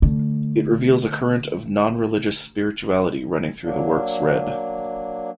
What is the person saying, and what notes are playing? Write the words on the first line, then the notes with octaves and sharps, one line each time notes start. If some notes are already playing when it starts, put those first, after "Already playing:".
It reveals a current of non-religious spirituality running through the works read.
D3 A3
F#3 A#3 D4